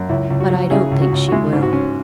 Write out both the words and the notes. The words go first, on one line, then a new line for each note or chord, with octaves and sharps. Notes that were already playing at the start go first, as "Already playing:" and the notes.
"But I don't think she will."
Already playing: F#2
C#2 E4
C#2
F#4
F#3
C#3 E4 G#4
C#2
F#4
C#2
F#4
G#3 E4
G#2
F#4
C#4